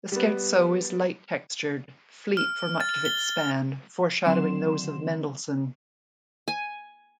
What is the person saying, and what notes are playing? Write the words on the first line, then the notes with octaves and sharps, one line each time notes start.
The scherzo is light-textured, fleet for much of its span, foreshadowing those of Mendelssohn.
G3 B3
F6
A6
G7
D3 D#3 F#3 C4 C6 E7
G#5